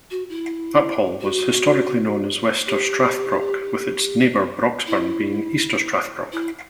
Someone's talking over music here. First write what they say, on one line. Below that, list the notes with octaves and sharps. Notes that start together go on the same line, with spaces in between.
Uphall was historically known as Wester Strathbrock, with its neighbour Broxburn being Easter Strathbrock.
F#4
E4
F#4
G4
E4
E4